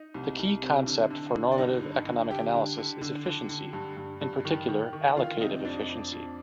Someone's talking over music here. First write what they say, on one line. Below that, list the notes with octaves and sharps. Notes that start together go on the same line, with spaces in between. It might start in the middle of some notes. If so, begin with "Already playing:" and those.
The key concept for normative economic analysis is efficiency, in particular, allocative efficiency.
Already playing: D#4 D#5
C2
C2
C3
D3
D3
D3
D5
G2 D#4 D#5
D3
D3
D3 G4 G5
D3
D3
D3
D3
D3
G2
G2
G2
D#3
D#3
D#3
D#3 F4 F5
C3 D#4 D#5
F2 D4 D5
F2
F2